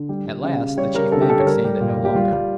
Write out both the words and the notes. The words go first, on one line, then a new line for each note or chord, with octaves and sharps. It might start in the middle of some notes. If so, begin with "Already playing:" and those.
At last the Chief Man could stand it no longer.
Already playing: D3
G3
G3
C#3
C#3
G3 C#5
G3 A#4
D3 A4
G4
D3 A4
C#5
G3 A#4
G3
A#2
A#2
G4
G3 F4
G3